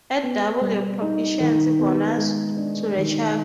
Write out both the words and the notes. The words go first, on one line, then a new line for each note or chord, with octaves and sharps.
Add double your proficiency bonus to the check.
B3
G3
D#4
D#3
B3
G#3
D4
D#3